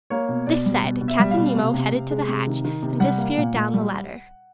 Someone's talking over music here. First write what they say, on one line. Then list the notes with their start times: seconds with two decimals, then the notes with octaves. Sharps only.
This said, Captain Nemo headed to the hatch and disappeared down the ladder.
0.10 A#3 C#5
0.29 B2
0.47 B2 D5
0.66 G3
0.83 B2
1.01 B2
1.08 E5
1.19 G3
1.31 F5
1.37 B2
1.56 C3
1.74 C3
1.92 C3
2.11 G#3
2.28 C3
2.47 D#3
2.65 D#3
2.83 C3
3.00 G3 F#5
3.18 A#3
3.37 A#2
3.55 A#2
3.74 G3